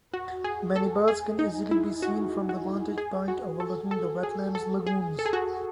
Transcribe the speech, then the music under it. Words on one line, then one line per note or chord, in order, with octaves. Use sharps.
Many birds can easily be seen from the vantage points overlooking the wetland's lagoons.
F#4
G#4
A4
G#4
D#4
E4
F#4
F#4
G#4
F#4
A4
A4
G#4
A4
G#4
A4
G#4
F#4